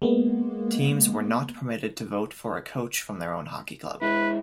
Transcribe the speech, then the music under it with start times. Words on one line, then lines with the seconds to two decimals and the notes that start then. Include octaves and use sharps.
Teams were not permitted to vote for a coach from their own hockey club.
0.02 G#3 A#3 B3
4.02 G#3 E4 B4